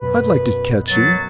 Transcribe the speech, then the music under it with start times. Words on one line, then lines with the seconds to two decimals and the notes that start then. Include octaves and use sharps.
I'd like to catch you!
0.01 F#2 B2 B4
0.88 F#3 A6